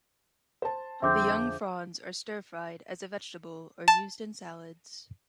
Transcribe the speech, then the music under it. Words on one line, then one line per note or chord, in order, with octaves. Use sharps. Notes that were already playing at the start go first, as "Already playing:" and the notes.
The young fronds are stir-fried as a "vegetable" or used in salads.
C5 A5
F2 D3 C4 G#4 E5 D6 G6
A5